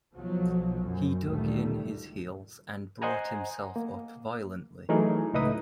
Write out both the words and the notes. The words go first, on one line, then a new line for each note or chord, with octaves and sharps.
He dug in his heels and brought himself up violently.
B1 F3 F#3
F#2
D2 A#2 D#3 G3 A3
C5 D#5 F#5 G#5 A#5
A#3
E3 F#3 A3 D#4 G#4 A#4
C#2 A2 D#4 E4 B4 D#6